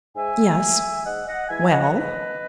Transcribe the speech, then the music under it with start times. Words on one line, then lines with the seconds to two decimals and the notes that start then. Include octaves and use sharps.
"Yes." "Well?"
0.16 G#2 E5 G#5
0.60 E3 G#3
1.04 G#2 D#5 F#5
1.27 D#5 F#5
1.49 E3 G#3 E5 G#5
1.71 D#5 F#5
1.93 G#2 B4 D#5